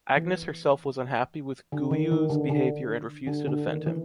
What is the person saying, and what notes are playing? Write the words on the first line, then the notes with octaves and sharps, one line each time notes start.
Agnes herself was unhappy with Guiu’s behavior and refused to defend him.
E3
D3
D#3
D#3
D3
D3
D3
D3
D#3
E3